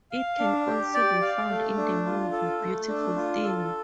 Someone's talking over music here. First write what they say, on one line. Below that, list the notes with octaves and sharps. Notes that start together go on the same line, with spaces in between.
It can also be found in the movie "Beautiful Thing".
F5
D4
G4
D5
F5
A3
D4
F4
A4
A3
D4
F4
A4